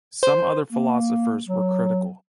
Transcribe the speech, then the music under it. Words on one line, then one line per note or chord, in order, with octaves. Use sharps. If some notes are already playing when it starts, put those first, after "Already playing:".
Some other philosophers were critical.
C5
A#3
F#3